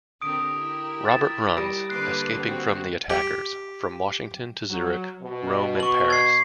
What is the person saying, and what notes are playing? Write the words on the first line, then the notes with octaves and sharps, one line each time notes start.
Robert runs, escaping from the attackers, from Washington to Zurich, Rome and Paris.
D3 C4 G4 A#4 D#6 D7
E4
A6 E7
G3 A#6 D7
D3 A#3 B4 C6 D6 F#6 C7
B3 C4 F#4
G4
F#3
B2
C#6 F#7
G#6 C7